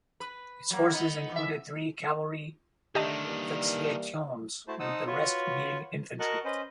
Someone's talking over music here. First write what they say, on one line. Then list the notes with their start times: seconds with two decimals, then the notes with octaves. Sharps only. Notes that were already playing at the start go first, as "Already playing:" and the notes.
His forces included three cavalry "vexillationes" with the rest being infantry.
0.20 B4
0.71 F#3 A#3
0.92 B3 D#4
1.32 E3 E5
2.95 D3 D#3 A3 D4 G4 D#5 A5
3.27 E3 G3 A#3
4.68 A3 E4 F#4 C5 A5
4.80 D#4 C5 F#5 A5 D#6 E6
5.07 F4 F#4 B4 C#5
6.20 F#4 A#4 D#5 A5 C#6 F#6
6.45 C#4 B4 C5 D#5